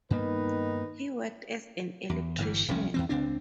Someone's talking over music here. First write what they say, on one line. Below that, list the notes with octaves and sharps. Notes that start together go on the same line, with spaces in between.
He worked as an electrician.
G2 D#3 A#3 B3 D#4 B4
E2
G1 G2 D#3 E3
D#1 C2 F3 C#4
E2 E3 C4
C#2 C4 D4